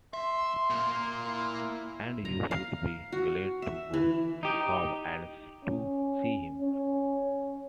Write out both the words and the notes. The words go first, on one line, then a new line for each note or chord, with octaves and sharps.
And you should be glad to go home, and to see him.
E5 C6
A#2 A#3
E4
A#5
F5
F#4
E5
E3
D#4 G4
C#4
C#4